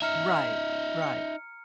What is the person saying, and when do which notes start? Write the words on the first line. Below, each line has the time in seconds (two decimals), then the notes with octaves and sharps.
Right. Right.
0.02 D#4 E5 A#5 F6 C#7
1.02 C#7